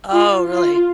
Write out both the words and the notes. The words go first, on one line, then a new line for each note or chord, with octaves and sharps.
Oh, really?
F4
F4